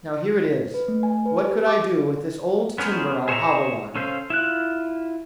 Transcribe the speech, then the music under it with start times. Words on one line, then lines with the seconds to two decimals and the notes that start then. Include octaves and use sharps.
Now, here it is: What could I do, with this old timber I hobble on?
0.74 B4
0.88 A3
1.03 G#5
1.25 B4
1.47 G4
1.67 D6
2.78 B3 C#4 G#4 A#4 C5
3.28 G#4 C5 C#5 E5 A#5
3.96 C#4 A4 C5 F5
4.30 E4 F4 F#6